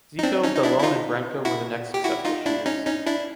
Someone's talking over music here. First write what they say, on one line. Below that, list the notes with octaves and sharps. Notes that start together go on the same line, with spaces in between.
Zico, Bellone and Branco were the next successful shooters.
D#4
C4 D4
C#4 D#4
D#4
D4 E4
E4
D#4 F4
E4 F#4
G4
E4 F#4
D#4 F4
D4 E4
C#4 D#4
C#4 D#4
D4 E4